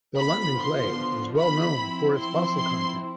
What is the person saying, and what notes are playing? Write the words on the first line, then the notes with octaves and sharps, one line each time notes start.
The London Clay is well known for its fossil content.
D3 F3 B3 B5
C6
B5
F3 C4 E4
C6
C6